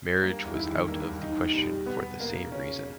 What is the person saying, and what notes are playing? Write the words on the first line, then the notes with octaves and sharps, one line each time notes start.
Marriage was out of the question for the same reason.
G2 G3 A#3
E2 E3
E4
D#2 D#3
G2 G3 A#3
D#2 D#3
D#4
D#2 D#3
B2 G3
B3
B2 A#3
C#3
C#4
C#3